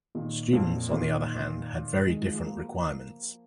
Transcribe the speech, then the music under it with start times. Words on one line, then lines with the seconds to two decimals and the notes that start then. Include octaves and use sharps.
Students, on the other hand, had very different requirements.
0.15 A#2 D#3
0.53 F2 A#2
0.91 A#2 D#3
2.05 D#3 G#3
2.27 F3
2.36 G#3
2.43 F3 A#3